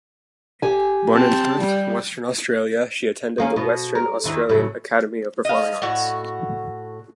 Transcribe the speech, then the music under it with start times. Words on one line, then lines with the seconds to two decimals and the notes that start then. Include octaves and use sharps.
Born in Perth, Western Australia, she attended the Western Australian Academy of Performing Arts.
0.62 G4 G#5
1.11 C4 A5
1.59 G3
3.38 D#3 A#3 C#4
3.56 B2
3.95 A#4
4.24 E2 D#3 E3
4.49 A2 C#3 F#3
5.45 D#5 F5
5.82 A2 F#4